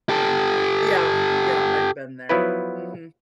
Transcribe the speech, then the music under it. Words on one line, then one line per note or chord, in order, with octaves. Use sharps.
Yeah, yeah, I've been there. Mhm.
G4 A4
F3 F#3 B3 E4 B4